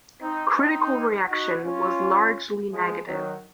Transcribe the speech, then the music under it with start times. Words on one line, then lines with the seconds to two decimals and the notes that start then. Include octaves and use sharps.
Critical reaction was largely negative.
0.21 C4 D#4
0.57 C4 D#4
1.29 D#4 F#4
1.64 C#4 F4
2.72 F3 G#3
3.07 D#3 F#3